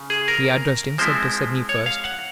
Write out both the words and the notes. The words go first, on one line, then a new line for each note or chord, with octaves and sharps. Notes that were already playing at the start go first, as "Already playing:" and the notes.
He addressed himself to Sydney first.
Already playing: C#3
G#4
A#4
F3 G#3 C4 E4 C5
C#5
F5
F#5